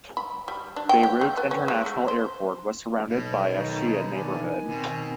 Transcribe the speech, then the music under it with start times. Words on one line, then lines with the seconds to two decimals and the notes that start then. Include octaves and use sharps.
Beirut International Airport was surrounded by a Shia neighborhood.
0.17 B5
0.48 G3
0.76 D4
0.89 G5
1.03 G4
1.21 A3
1.37 B3
1.51 C#4
1.68 G#3
1.86 A3
2.08 C5
3.09 B1 B2
3.54 D#3 D#4
4.13 D#3 D4 G#5
4.70 B2 C4